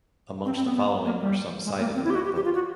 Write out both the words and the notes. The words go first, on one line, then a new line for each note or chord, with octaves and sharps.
Amongst the following are some cited in that book.
C4
C4
B3
B3
A#3
G3
G#3
A#3
C4
E4
G4
F#4
G4
G4
F4
F#4